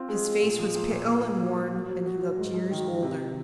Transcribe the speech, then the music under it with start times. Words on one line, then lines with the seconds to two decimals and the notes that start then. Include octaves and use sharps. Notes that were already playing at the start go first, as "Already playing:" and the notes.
His face was pale and worn and he looked years older.
Already playing: C4 F4
0.08 G#3
0.25 G#3
0.41 A#2
0.58 F3
0.75 A#2
0.90 A#2
1.07 A#3
1.23 A#3
1.40 F#3
1.56 F#3
1.72 F#4
1.88 F#3
2.05 F#4
2.22 F#3
2.38 G#2
2.54 G#2
2.71 D#3
2.87 D#3
3.02 C3